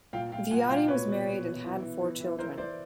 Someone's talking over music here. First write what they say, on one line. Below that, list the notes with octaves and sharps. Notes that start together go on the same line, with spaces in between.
Viotti was married and had four children.
A#2 F5 G5
A#2 F5 G5
A#2 F#5 G#5
A#2 F5 G5
B2 B4 C#5
B2
B2
B2
E3
E3
E3
E3
E3 A#4 C5
E3 C5 D5